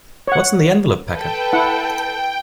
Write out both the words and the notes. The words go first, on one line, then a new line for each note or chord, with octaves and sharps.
What's in the envelope packet?
C#5 F#5
A4 B4 G5
E4 F#5